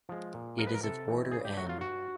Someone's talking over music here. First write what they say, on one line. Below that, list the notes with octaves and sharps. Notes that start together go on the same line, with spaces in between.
It is of order "n".
F3 G#3
A#2
F3 G#3 A#4
B4
A#4
C3 A4
E3 G#3 C4
C#3 G#4
G4
F#3 A3 F#4
F4
G2 F#4